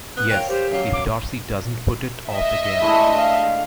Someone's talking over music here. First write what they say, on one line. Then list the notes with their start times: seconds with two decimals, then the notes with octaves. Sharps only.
Yes — if Darcy does not put it off again.
0.17 B3 F#6
0.30 A#4 C#5 F5 G5
0.48 G4 C5
0.71 F#2 F#3 F5
0.92 D6
2.28 D#5 E5
2.81 G#3 A3 D4 E4
3.18 F5